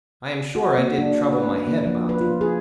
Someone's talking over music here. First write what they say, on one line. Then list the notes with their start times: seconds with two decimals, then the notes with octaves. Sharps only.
I am sure I did trouble my head about them.
0.55 F#4
0.78 A#3
0.98 D4
1.33 B4
1.49 C#4
1.68 A#3
1.86 F3
2.09 B4
2.21 F4
2.41 G#4